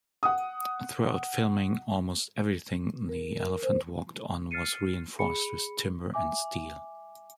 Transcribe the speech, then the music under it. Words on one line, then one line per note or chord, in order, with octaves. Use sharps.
Throughout filming, almost everything the elephant walked on was reinforced with timber and steel.
F#5 D#6
A#4
A#4
C5
F6 A6 C7 C#7 D#7
G#4 B5 C#7
E5 G#5 D6